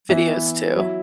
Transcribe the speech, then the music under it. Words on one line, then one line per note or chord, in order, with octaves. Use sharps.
videos, too.
E3 B3 E4
F#3 E4